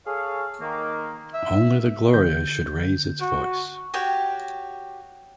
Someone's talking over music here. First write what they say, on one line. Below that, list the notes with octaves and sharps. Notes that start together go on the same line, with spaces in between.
Only the Gloria should raise its voice.
G#4 A4 C#5 F5
D#3 A#3
E5
D3 G6
F#4
F#4 G4 C#5 G5